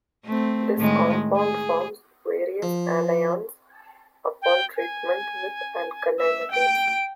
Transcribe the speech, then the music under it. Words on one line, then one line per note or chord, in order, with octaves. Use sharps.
This compound forms various anions upon treatment with alkali metals.
A3 C4
A2 D#3 G#3
G#4
F3
G5
G#5
E5
G5 D7